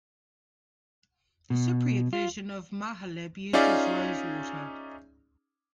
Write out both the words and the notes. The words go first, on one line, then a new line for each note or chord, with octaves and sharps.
The Cypriot version of mahaleb uses rosewater.
B2
F4
C#4 D#4 F4 G#4 D5 E5